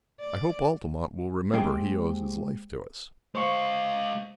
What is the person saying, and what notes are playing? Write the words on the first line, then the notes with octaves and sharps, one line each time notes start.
"I hope Altamont will remember he owes his life to us?"
D5
G#3 A#3 C4 G4 G#4 G5
G#3 C5 F5 C#6